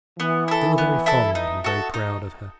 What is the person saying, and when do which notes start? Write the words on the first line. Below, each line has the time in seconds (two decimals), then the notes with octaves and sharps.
They were very fond and very proud of her.
0.19 E3 B3
0.48 E4 A4
0.78 B3
1.06 E4 A4
1.35 D#4
1.64 F#4 A4
1.94 D#4